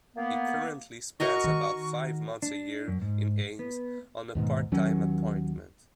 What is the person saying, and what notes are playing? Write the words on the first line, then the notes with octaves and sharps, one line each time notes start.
He currently spends about five months a year in Ames on a part-time appointment.
A#3 B3
F#4 A#4 D#5 C#6
D#3
D4
F#2
G#2
B3
D#2 G#2 B2
D#2 F#3 C#4